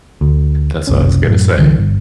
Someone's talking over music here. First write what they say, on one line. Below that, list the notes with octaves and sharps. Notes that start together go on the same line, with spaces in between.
That's what I was gonna say.
D2
F#1 C2 C#4
F#2 A2
C2 D3 E3
G1